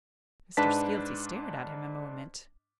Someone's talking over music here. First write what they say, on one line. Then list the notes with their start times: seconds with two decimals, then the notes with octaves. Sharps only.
Mr. Skeelty stared at him a moment.
0.57 G#2 D4 B4 A5 B6